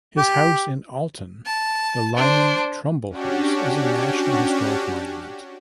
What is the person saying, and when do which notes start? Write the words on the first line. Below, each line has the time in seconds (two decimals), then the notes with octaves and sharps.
His house in Alton, the Lyman Trumbull House, is a National Historic Monument.
0.17 G4
1.46 A5
2.17 D4 C5
3.10 C#4 D4 F#4 G4